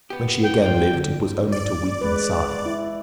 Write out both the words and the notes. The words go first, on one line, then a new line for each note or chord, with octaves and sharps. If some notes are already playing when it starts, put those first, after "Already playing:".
When she again lived, it was only to weep and sigh.
B3 G4
G5
F4 D5 G5
D3
D5
G#3 B4
E4